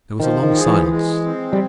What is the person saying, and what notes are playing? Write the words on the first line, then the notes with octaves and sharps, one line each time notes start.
There was a long silence.
D#3 F3
D#3
G#3
E3
G#3
C4
G3